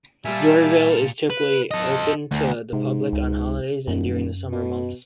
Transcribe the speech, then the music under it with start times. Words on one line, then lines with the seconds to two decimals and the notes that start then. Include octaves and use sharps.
Dairyville is typically open to the public on holidays and during the summer months.
0.25 A#2 G3 F4 E5 G#5 A5
1.30 B4
1.71 A4 D#5
2.31 D2
2.73 G#2 C3
3.13 C#2
3.87 D#1 F#2
4.52 B2